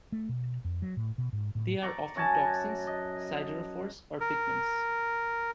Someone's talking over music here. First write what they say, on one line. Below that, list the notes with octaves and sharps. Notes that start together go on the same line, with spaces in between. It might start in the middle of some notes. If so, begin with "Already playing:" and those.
They are often toxins, siderophores, or pigments.
A3
B2
F2
F#3
A2
B2
G#2
A2
D5 A#5 C#6
F#2 F#4 G#5 A5
D#5
A#4